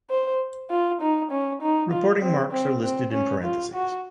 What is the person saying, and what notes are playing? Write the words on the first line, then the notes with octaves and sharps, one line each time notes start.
Reporting marks are listed in parentheses.
C5
F4
D#4
C#4
D#4
F4
C4
C4
C4
C#4
F4
F#4